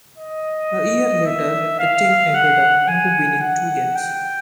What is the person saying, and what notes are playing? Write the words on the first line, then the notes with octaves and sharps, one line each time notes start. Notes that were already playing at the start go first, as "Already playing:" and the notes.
A year later the team ended up only winning two games.
D#5
E5
F5
F#5
G#5
F#5
G5